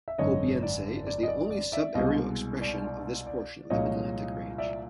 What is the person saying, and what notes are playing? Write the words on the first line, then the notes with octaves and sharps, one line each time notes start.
Kolbeinsey is the only subaerial expression of this portion of the Mid-Atlantic Ridge.
E5
G#1 F#2 D3 C#5 D#5
D5
D5
D#5
D5
D#5
D5
D5 E5
C2 B2 G#3 D#5 F5
D5
D5
D5
C2 A#2 F3 G#3 C#5 D#5
D5 E5